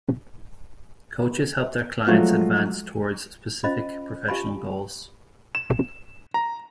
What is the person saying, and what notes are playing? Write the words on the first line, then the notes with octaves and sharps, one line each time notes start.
Coaches help their clients advance towards specific professional goals.
F3 F#3 G#3 A3 F4 F#4
C#4 F4 C5 D#5 F5 B5
F4 G4 F5 G#5 A5 B5
E7
A#5